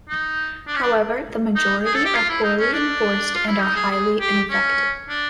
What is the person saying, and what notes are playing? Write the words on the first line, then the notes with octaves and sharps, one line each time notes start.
However, the majority are poorly enforced and are highly ineffective.
D#4
D4
C#4
D4
D#4
G#4
A4
G4
F4
E4
D#4
C#4
D4
F4
E4
D#4
G#4
G#4
G4
C#4
D4